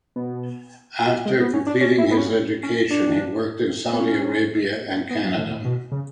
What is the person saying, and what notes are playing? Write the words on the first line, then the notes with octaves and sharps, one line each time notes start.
After completing his education he worked in Saudia Arabia and Canada.
B2
G#3
B3
C#4
D4
C#4
E4
B3
C#4
C#4
D4
B3
C#4
B3
F#3
A2
A2
B2
C#3